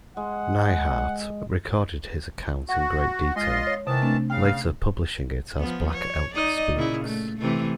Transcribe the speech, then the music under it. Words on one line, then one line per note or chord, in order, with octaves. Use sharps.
Neihardt recorded his account in great detail, later publishing it as Black Elk Speaks.
G#3 F#5
F#4 F#5
G#3 F4 D#5 C6
C#5
C3 D#3 E3 A5 D#6
A3 C4 D4
C#3 F5 G5
F3 B3
C#5
D#4 D5 D#5
A#2 C#3 E4
A3
C3 E3 A3